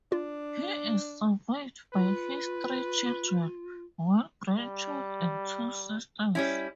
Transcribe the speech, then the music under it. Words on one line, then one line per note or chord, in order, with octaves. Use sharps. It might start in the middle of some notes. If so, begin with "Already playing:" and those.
He is survived by his three children, one grandchild, and two sisters.
D4 F4
F4 B4
G3
G3 C#4 E4